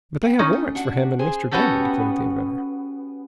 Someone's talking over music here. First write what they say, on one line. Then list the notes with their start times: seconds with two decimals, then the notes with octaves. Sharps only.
"But they have warrants for him and Mr. Damon," declared the inventor.
0.23 C4
0.39 C#4 D#4
0.53 A3
0.75 D4 F#4 F#5
1.19 G#4 C5 G#5
1.51 B3 C#4 F#4 G4 A4